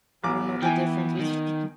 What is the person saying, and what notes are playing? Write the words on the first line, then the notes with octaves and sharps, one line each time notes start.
I don't know the difference between
A1 B3 D6
E3 G5 G#5
D#3